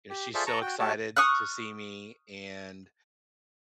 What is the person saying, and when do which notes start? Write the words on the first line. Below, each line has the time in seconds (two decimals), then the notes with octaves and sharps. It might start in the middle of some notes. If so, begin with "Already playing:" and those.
you know, she's so excited to see me, and,
0.10 G4
0.35 F4 G#4 A4 C5 D5 E5
0.47 A5 A#5 C#6
0.62 F#4 G5
0.79 A3 F#4 G4 C#5 A5
1.16 C#6 D#6 F6 F#6